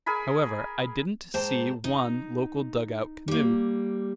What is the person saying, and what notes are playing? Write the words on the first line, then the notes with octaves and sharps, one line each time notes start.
However, I didn't see one local dugout canoe.
G#4 A#4 G#5 B5
G#2 C5 G5 A5 A#5
D#4
G3 A#3